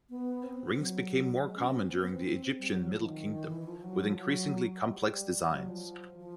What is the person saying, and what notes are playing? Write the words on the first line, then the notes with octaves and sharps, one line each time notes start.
Rings became more common during the Egyptian middle kingdom, with increasingly complex designs.
B3
C4
F#3
G#3
C#4
C4
B3
C4
B3
B3
C4
G3
F#3
F#3
F3
D#3
E3
E3
F3
F#3
F3
F#3
G3
G3
F#3
F3
F3